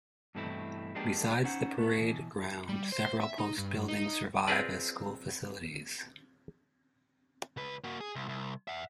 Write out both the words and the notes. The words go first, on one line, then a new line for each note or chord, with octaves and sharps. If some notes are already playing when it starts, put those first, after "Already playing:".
Besides the parade ground, several post buildings survive as school facilities.
G2 B2 E3 A3 C4 E4
F3 G#3 A#3 B3 D4 G4
C#4 D#4 C5 F#5
A3 B3
B2 E3
G3
C5
E5
D#4
G2
D#4
C4 F4 G#4 A#4 B4 D5
C#2 B4
A#3 F#4
G#4
C2
C2
E5 F#5